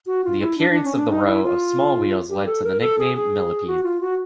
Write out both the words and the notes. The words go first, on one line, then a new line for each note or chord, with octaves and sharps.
The appearance of the row of small wheels led to the nickname "millipede".
F#4
F4
E4
D4
D4
C#4
D4
D#4
E4
F4
G4
A4
A#4
A4
G#4
G#4
F#4
F4
F#4